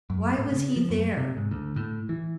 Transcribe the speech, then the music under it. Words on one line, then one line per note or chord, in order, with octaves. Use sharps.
Why was he there?
F#2
A2
C#3
F3
F#2
C3
G#2
D2
A2
E3